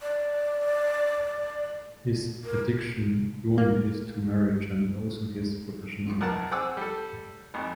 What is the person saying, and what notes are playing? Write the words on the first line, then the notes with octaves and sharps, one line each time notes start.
His addiction ruined His two marriages and also His professional life.
D5
A#4
A#3
B1 A#4 F#5 A5
C4 G#4 F#5 D6 E6
G3 A4
G#1 F2